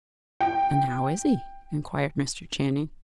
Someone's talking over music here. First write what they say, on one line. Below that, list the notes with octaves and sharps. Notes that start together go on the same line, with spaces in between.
"And how is he?" inquired Mr. Channing.
G5